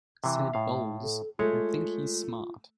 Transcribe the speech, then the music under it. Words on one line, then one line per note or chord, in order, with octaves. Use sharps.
Said Bowles: I think he's smart.
C3 E3 E5
A2 F5
A4
G#3 A3 F4 C#5